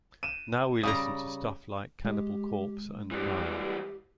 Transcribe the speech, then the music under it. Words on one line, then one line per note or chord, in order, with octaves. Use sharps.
Now we listen to stuff like Cannibal Corpse and Nile.
D#7 E7
C#3 G3 A#5 D#6
G#3 G4
E3 G3 G4